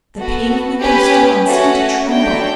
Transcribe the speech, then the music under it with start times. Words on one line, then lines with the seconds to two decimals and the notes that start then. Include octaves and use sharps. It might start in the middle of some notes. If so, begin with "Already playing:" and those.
The pavement they stood on seemed to tremble.
0.19 B3 F#4 A4
0.83 C#4 G4 B4
1.46 A3 C#4 F#4
2.09 A3 D4 F#4 C#5 G5